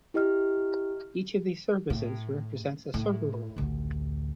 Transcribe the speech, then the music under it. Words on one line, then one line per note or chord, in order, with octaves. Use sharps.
Each of these services represents a server role.
E4 G4 D#5 F6
A2
A2
A1 D2